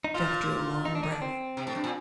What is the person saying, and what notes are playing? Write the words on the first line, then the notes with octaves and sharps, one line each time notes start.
Jeff drew a long breath.
D#4
A#2 F4
D#4
D4
D#4
D4
C4
C3
A2
G2
A#2